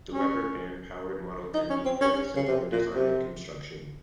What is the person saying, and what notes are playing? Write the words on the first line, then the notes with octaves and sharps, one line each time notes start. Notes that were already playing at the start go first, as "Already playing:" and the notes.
The rubber-band-powered model can be fairly simple in design and construction.
C#4
D#4
C#4
C4
C#4
C#4
C#3
C3
A#2
C3